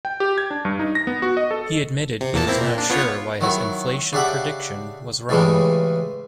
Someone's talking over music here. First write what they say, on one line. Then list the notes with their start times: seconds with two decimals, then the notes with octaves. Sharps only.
He admitted he was not sure why his inflation prediction was wrong.
0.05 G5
0.20 G4
0.38 G#6
0.51 D4
0.65 G2
0.79 D#4
0.95 A#6
1.07 B3
1.22 F#4
1.37 D#5
1.51 A4
2.21 C3
2.33 E2 A#3 A5
2.47 A#3 C4 E4
2.61 A#2
2.78 D4
2.90 B3 F4 C#5
3.41 D#3 F#3 E4
4.13 C#3 D4 G4 E5 F#5
5.29 A2 C#3 E3 G3 G#3